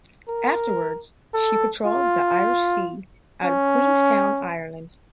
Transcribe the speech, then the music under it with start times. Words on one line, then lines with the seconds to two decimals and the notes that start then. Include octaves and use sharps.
Afterwards, she patrolled the Irish Sea out of Queenstown, Ireland.
0.28 A#4
1.34 A4
1.85 F4
3.44 C#4